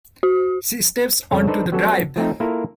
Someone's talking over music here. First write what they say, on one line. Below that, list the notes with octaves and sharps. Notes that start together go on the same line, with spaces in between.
She steps on to the drive.
F#4
F2 C#3 A4 C#5
D4 D#4 A4 B4 C5 D5
F#3 G3 B3 C#4 F#4 A4
F3 A3 C4 D#4
A#3 E4 F4 A4 A#4